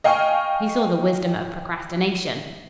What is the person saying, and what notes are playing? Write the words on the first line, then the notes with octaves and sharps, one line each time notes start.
He saw the wisdom of procrastination.
D#5 F5 G5 G#5 C#6 F6